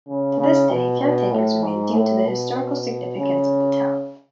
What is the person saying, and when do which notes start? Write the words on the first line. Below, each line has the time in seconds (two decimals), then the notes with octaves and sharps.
To this day, caretakers remain due to the historical significance of the town.
0.08 C#3
0.39 C#3
0.71 B2
1.01 B2
1.32 A2
1.63 G#2
1.94 A2
2.26 B2
3.18 C#3